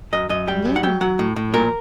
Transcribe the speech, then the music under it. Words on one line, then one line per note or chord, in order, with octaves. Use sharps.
Yeah, yeah.
F#2 D#5
F#2 D#5
G3 G5
F#2
F#5
F#3 G5
F#3 F#5
A2
A2
A#2 A#4